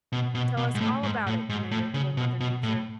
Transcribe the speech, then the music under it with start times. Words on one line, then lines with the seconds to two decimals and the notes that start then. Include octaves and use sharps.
"Tell us all about it," demanded Old Mother Nature.
0.12 B2
0.35 B2
0.57 B2
0.75 G#2
0.81 A2
1.03 G#2
1.27 A2
1.50 G#2
1.71 A2
1.94 C#3
2.17 B2
2.40 B2
2.63 A2